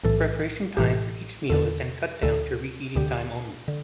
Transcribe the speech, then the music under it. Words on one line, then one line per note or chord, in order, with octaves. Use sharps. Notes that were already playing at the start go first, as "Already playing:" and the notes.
Preparation time for each meal is then cut down to reheating time only.
B1 A2 E3 A4
A1 A2 E3 G4
E2 D3 A4
D2 D3 A4
D2 D3 G4
D3